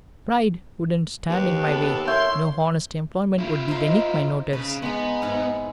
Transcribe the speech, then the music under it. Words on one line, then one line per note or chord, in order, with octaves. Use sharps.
Pride wouldn't stand in my way; no honest employment would be beneath my notice.
D#2 B4
B3 A4
E4 A#4 C#5 C6 G6
E4 F4
D#4 C5
C#3 B4
G#3 B3 D#4
G#2 E4